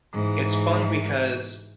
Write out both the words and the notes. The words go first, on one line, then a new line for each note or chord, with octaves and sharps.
it's fun because
G#2 E3